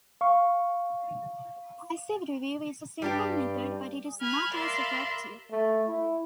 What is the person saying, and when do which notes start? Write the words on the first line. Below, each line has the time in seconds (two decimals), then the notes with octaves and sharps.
Passive review is a simple method but it is not as effective.
0.21 F5 C#6
3.02 G2 G3 D4 G4
4.20 G#5 B5 F6 F#6 G#6
4.53 A#4 D5 E5 F5 B5 C6
5.51 A3
5.87 E4